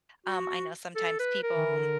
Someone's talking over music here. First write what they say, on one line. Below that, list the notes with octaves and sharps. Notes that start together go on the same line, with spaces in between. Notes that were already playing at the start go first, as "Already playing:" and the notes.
um, I know sometimes people,
F#4
A4
B4
A#4
D#3
D3